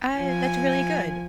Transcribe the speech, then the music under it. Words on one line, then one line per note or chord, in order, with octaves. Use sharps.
Uh, that's really good.
F3 G#5